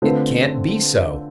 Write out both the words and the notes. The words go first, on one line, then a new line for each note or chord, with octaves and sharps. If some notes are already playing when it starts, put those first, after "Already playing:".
It can't be so!
D3 A3 C4 F4 B4